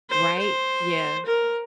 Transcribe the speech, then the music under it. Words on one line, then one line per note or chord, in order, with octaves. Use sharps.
Right? Yeah.
C5
C5
A#4